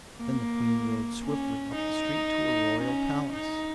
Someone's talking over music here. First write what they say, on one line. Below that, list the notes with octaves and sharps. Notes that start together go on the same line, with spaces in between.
Then the Queen rode swiftly up the street to her royal palace.
A#3
C#4
D#4
C#4
D#4